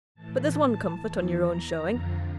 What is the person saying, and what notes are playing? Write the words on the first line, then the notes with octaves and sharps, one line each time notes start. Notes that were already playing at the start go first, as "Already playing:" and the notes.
But there's one comfort, on your own showing.
A2 E3 A5
A5
E2 E3
A#5
F2 D3 F3